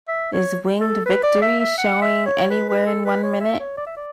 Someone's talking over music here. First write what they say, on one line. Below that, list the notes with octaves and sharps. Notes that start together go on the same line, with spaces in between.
Is Winged Victory showing anywhere in one minute?
E5
C#5
A4
B4
D5
E5
E5
F#5
E5
C#5
B4
B4
A4
B4
C#5
E5
C#5
D5
E5
D5